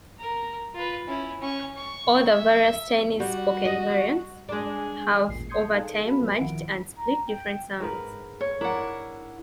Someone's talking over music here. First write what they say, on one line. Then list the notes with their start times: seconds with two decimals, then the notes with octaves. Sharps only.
All the various Chinese spoken variants have over time merged and split different sounds.
0.19 A#4
0.75 F4 B4
1.07 C#4 E4
1.40 C#4 C#6
1.77 C#6
2.27 E5
3.20 G3 F#4
3.65 D#5
4.49 G#3 D4 G#4
5.29 A1 D#2 A#2 G#3 C7
5.49 C6 D#6 G6 G#6 C7 C#7
5.74 D#4 G#4 A4 F5 A5
6.06 F#4 B5
6.18 F#3 B4
6.40 A#1 D#3 F3 E4 F#5 D7
6.97 A#5
7.29 G5
7.80 G#2 A#4 B4
8.41 C#5
8.61 D4 E4 A#4 F#5